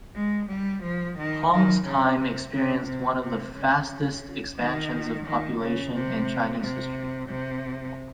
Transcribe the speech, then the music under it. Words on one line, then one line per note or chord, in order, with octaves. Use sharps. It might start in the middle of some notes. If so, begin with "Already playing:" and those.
Hong's time experienced one of the fastest expansions of population in Chinese history.
G#3
G3
F3
D#3
D#3
C#3
C3
C#3
C3
C3
C#3
D#3
D#3
C#3
C3
C3
C3